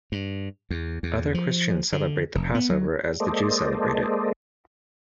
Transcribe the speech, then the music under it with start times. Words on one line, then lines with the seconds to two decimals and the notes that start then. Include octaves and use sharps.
Other Christians celebrate the Passover as the Jews celebrate it.
0.12 G2
0.70 E2
1.03 E2
1.34 F3
1.93 D3
2.35 F1
2.55 B3
2.70 F#3
3.20 G#3 A#3 A4 C5 D5 D#5